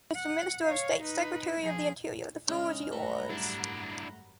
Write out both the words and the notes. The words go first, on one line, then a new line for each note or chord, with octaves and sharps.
Mr. Minister of State, Secretary of the Interior, the floor is yours.
F#5
C#5 F5
D#4 B4
F3 G#4
C#3 G#3 F6
G#1 F#2 G3 A3 F#5 A#5 B5
D4 E4